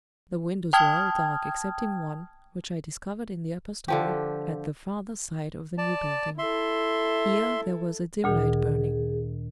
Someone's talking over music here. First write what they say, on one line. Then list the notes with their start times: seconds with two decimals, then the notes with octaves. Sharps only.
The windows were all dark excepting one, which I discovered in the upper storey, at the farther side of the new building. Here, there was a dim light burning.
0.73 G5 A5 D#6 F6 G#6
3.88 D3 F3 G4
5.78 D5 A5
6.38 E4 A4 E5 C6
8.24 D2 A#2 D#3 G#4